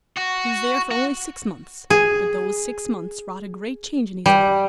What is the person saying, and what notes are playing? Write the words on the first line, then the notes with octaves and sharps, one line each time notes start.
He was there for only six months, but those six months wrought a great change in his life.
F#4
F#4
G#4
G3